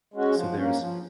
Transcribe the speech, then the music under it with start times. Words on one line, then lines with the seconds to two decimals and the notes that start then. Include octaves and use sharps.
So there's
0.14 G#3 C#4 F#4
0.34 F3
0.56 A#3 C#4
0.77 F3